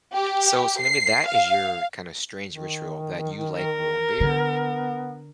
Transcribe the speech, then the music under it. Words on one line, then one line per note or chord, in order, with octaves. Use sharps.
So, it's gonna be that is your, kinda strange, ritual that you like warm beer,
G4
C7
F5
D#3
A#4
D3 B3